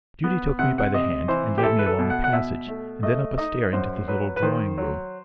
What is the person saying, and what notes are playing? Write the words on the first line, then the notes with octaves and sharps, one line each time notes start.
Judy took me by the hand, and led me along a passage, and then up a stair into the little drawing-room.
B3
C3 F#5
F#5
C3 D#5
E3 C5
G4
E4 A4
B4
A4
B2
F#5
F#5
B2 E5
A3
A3 D#5
D#4 D#5
F#2 C5
F#3 B4
B4
D#3 C5
F#3